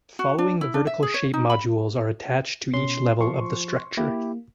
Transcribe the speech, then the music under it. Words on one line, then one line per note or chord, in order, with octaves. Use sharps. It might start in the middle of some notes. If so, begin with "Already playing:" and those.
Following the vertical shape modules are attached to each level of the structure.
F#4
D4
E4
D4
E5
G#4
C#5
D#4
B5
B2 C#4 C6
F3 C6 C#6
A#3 E4 G4